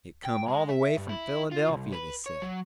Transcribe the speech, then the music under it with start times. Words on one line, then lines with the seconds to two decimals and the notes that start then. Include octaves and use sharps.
It come all the way from Philadelphia, they said.
0.25 G5
0.48 G#3
0.69 E5
0.97 G2
1.09 E4
1.51 F4
1.68 C2
1.93 B4
2.26 C#5
2.42 F#3